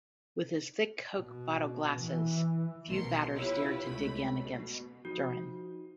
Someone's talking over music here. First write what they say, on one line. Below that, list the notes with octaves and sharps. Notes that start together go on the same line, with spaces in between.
With his thick Coke bottle glasses, few batters dared to dig in against Duren.
B2
E3
B1 B2 A#4 C6 C#7
E4 F4 G4 B4 C#5
C#2 A3 B5
B2
F3 D#4 F#4